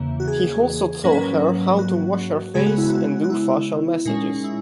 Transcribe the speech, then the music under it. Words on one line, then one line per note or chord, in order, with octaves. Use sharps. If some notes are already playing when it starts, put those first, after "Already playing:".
He also taught her how to wash her face and do facial massages.
Already playing: E2 C#3 E3 A#3
F#4
G#4
G#2 F#3 A#3 C#4 A#4
B4
A#4
F#4
C#3 G#3 B3 G#4
F#4
E4
F#4
F#4
E4
A#2 G#3 C#4 D#4
E4